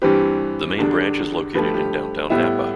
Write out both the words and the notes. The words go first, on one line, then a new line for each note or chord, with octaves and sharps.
The main branch is located in downtown Napa.
G2 E3 G3 C4 G4 B4
E2 D3 G3 D4
G2 F3 A3 G4 B4
G4
A2 G3 B3 E4